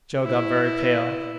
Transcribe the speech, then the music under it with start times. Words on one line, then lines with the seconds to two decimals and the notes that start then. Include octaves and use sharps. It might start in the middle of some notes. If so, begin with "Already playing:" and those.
Joe got very pale.
0.23 E4